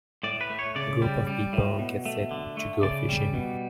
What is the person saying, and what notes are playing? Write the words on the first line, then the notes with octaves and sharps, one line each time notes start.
A group of people get set to go fishing.
A2 D5
B4
A3
C#5
C#3 D5
G3
G3
A2
B2
A3
D3
A3
C#3 D5
G3
B2